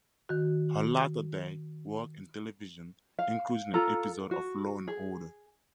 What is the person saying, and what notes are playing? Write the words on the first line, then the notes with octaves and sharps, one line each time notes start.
Her latter-day work in television included an episode of "Law and Order".
D#3 F#4
F5
F4 A4 A#5
F#4
G#4